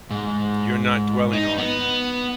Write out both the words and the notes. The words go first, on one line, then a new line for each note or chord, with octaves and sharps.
you're not dwelling on
G#2
D#4
B3